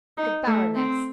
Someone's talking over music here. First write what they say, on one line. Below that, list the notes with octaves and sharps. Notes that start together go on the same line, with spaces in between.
"The Baroness."
D#4
A3
C4